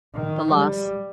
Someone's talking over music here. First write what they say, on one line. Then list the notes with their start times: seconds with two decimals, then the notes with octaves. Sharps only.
The loss.
0.14 D#3
0.51 G3